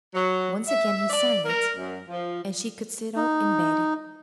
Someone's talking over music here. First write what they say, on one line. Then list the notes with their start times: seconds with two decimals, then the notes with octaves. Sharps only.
Once again he sang it, and she could sit up in bed.
0.14 F#3
0.67 E5
1.09 D5
1.45 A#4
1.76 F#2
2.09 F3
3.16 D#4